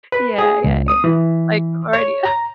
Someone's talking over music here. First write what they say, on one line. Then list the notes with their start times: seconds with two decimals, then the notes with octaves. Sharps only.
Yeah, yeah, yeah, yeah, like, already up.
0.12 B4
0.38 G#4
0.64 C#2
0.88 D#6
1.04 E3
1.93 C#5
2.25 A#5